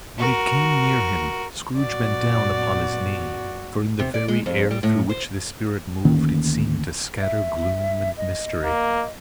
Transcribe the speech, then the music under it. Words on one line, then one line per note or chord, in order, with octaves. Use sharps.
When it came near him, Scrooge bent down upon his knee; for in the very air through which this Spirit moved it seemed to scatter gloom and mystery.
F#4 A#4
F#2 A#2 B3 F#4 D5
C3
D5
G#3
F2
G3
A2
C5
D2 D#3 A#3 C#4
E5
D#5
A#3